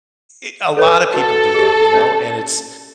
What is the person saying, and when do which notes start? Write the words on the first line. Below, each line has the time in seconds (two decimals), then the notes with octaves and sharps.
e a lot of people do that, you know? And it's
0.77 A4 B4 C#5
1.14 F#4 A4 A#4 F#5
1.54 G4 G#4
1.94 C#4 D4 C5